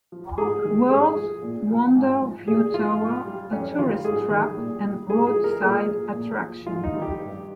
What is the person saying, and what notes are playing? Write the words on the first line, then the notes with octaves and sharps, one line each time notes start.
World's Wonder View Tower, a tourist trap and roadside attraction.
F3
G#2 G#4
D#3 G3
G#2 G#4
F3
A#2
F3
G#2
F3
A#2 G#4
F3 F4
G#2
G3
F2 C#4
D#3 G3 F4
G#2 G#4
D#3 G3
A#2
G3
G#2 G#4
G#4
F3
A#4
A#2 G#4
F3
A#2
F3
G#2 F4
D#4
D#3 G3
G4
G2